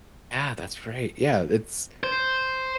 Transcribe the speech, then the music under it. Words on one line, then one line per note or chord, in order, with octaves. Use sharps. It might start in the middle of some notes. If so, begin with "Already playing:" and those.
Yeah, that's right, yeah, it's
C5